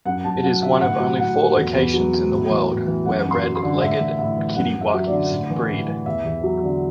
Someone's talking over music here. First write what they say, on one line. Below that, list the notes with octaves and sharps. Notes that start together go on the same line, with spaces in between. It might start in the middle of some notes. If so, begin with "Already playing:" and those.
It is one of only four locations in the world where red-legged kittiwakes breed.
F#2 F#5
F#2 A5
F#3 F#5
D3 E5
A2 F#5
F#3
A2 F#5
F#3
E2
E2
F#3
B2
A2
E3
A2
E3
F#2 F#5
F#2
C6
F#3
C6
D3
A2 E5
E3
A2 E5
E3
F#2 F#5
F#2
E5
F#3
D5
D3
A2
E3
A2
E3
E2 E5
E2
F#3
D3